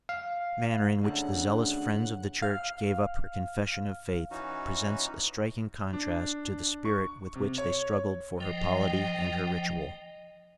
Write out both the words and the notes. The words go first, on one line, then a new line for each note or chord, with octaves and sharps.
The easy manner in which the zealous friends of the Church gave up her confession of faith presents a striking contrast to the spirit with which they struggled for her polity and her ritual.
F5
D2 C#3 F#5
F5 F6
E3 C#4 D#4 F#4
D4
C#6
C3
C#5
F3 D#5 G5